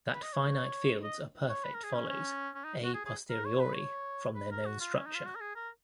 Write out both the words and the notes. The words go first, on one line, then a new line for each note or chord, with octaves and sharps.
That finite fields are perfect follows "a posteriori" from their known structure.
B4
D#5
C#5
D#5
C#5
B4
A#4
G#4
C#4
C#4
C#4
D#4
F#4
G#4
G#4
A#4
C#5
B4
C#5
B4
A#4
F#4
F4
C#4
D#4
F4
F#4
A#4
G#4
A#4